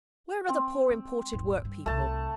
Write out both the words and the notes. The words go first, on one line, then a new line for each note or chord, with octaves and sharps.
'Where are the poor imported work-people?
C4
G#3
D#1 G#1
G2
C2 C3 A3 A5